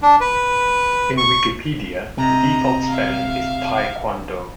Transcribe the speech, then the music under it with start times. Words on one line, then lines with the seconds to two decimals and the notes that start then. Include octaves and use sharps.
In Wikipedia, the default spelling is taekwondo.
0.03 D4
0.21 B4
1.18 C#6
2.18 C3 D#5 A#5
2.89 E5 F5